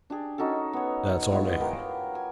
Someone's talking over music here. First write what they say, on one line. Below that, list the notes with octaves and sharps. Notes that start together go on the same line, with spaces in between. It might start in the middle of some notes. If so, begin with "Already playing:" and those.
That's our man.'
D4 G4 G#4
C#4 D#4 F#4 A4
B3 C#5
G#3 B3 E4 F4
B3 G4 A#4
G#5